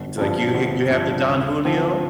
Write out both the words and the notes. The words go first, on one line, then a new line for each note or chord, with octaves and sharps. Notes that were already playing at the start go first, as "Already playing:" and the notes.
He's like, you hate you have the Don Julio?
Already playing: G1
G2 F3
G1
G2 F3
D2
D3 F3 C4